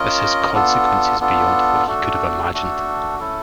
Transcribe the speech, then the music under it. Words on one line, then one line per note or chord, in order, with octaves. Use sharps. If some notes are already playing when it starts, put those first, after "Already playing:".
This has consequences beyond what he could have imagined.
Already playing: C#4 F4 A#4 D#5
B3 D4 F4 A4
B3 D4 F4 A4
A3 D4 F#4 A4
A3 D4 F#4 A4
A3 C#4 E4 A4